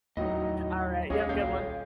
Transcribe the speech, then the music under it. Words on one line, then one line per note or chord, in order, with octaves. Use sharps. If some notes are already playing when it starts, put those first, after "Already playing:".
alright, you have a good one.
D#2 A2 F#3 D#4 D#5
C2 C#4 G4 C#5 D#5 F5
D#1 G#4 C#5 F5 G6